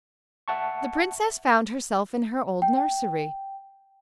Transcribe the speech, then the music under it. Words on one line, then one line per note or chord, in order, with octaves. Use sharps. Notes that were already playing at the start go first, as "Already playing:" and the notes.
The princess found herself in her old nursery.
E5 F#5 A5 C#6
G5